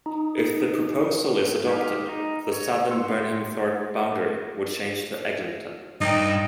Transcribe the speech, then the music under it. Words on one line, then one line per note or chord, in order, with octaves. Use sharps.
If the proposal is adopted, the southern Burnhamthorpe boundary would change to Eglinton.
D#4
G#3 D#4 G4 G#4 F5
D#4
C#5
F#5 C6 E6
G2 D#4 G5